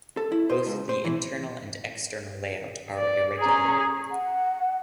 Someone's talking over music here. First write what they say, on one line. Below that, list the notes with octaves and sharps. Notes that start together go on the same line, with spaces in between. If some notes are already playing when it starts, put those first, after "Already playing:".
Both the internal and external layout are irregular.
A4
E4
C5
C#2
C5
E3
D5
C#4 G#4 A#5
F#5